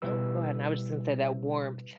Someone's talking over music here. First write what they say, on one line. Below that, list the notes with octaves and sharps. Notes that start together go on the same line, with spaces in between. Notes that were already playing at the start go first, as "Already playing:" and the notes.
no, go ahead, and I was just gonna say that warmth
B2 G3 E4 B4 E6